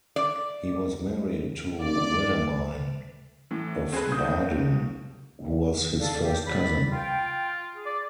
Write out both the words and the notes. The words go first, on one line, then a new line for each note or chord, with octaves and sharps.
He was married to Wilhelmine of Baden who was his first cousin.
D5
D5
A2 E3
C4 G#4 A4 B4
D#2 D#6 G6
A4 D5 F5
G4 F5
D5 B5
F4 G5
G#4
D5